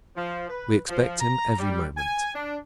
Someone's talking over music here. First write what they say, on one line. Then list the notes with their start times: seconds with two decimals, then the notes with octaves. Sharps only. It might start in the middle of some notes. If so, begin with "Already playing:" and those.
"We expect him every moment."
0.17 F3
0.50 B4
0.88 F3
1.21 A#5
1.59 G3
1.97 G#5
2.35 D4